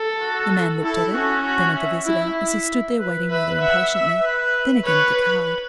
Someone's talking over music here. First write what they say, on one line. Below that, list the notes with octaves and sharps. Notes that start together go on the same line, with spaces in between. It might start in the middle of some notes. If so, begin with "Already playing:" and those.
The man looked at it, then at the visitor, as he stood there waiting rather impatiently, then again at the card.
Already playing: A4
F#4
E4 A4
C#4 F#4
F#4
E5
E4 E5
B4
B4 E5
E5 F#5
E5
B4
B4 C#5